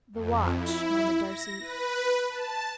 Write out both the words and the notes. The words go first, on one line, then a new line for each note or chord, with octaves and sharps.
"The watch," murmured Darcy.
F2
E4
A#6
B4
A5